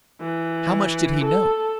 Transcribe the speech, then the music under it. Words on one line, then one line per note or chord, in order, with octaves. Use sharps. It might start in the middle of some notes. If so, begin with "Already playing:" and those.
How much did he know?
E3
A4